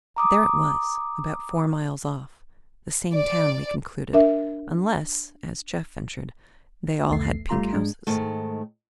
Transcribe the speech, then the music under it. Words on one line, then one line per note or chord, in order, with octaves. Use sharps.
There it was, about four miles off, the same town, we concluded, unless, as Jeff ventured, they all had pink houses.
A#5 D6 D#6
D5
D4 A#4 E5
B1 E2 A3 C7
G#1 G3 A3 F4 A#5 C6
G#2 G#3 D4
G#2 D#3 A3